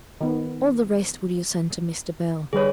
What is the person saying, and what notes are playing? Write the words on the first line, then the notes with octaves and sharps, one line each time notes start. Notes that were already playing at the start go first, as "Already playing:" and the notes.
All the rest will you send to Mr. Bell?
D#3 B3
D3 G3 G#4 B4 C#5